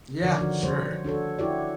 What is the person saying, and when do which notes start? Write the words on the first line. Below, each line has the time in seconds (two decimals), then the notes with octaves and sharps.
Yeah, sure.
0.23 D3 D#3 F3 A#4 C#5 D5
0.38 D4 F#4
0.63 G3 C5 C#5
1.04 D4 F#4 A4 C#5
1.39 E4 F#4 G4 C#5 D5